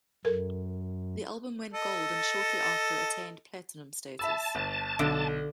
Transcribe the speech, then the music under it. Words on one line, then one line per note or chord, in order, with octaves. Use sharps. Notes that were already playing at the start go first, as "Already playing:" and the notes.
The album went gold and shortly after attained platinum status.
F#2 A4 A#4
A4 D#5
E5 A5 B5 E6
G1
B1 D3 D7